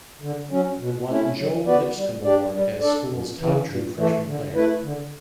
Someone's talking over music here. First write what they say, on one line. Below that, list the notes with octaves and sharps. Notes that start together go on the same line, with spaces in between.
Won Joe Lipscomb Award as school's top true freshman player.
D3
F#3 C#4
B2
A3 C#4 E4
F#3
B3 F#4 B4 D5
G3
D4 G4 D5
G3
D4 A4 D5
F#2
C#3 E3
G2
E3 A3
D3
A3 E4 B4
D3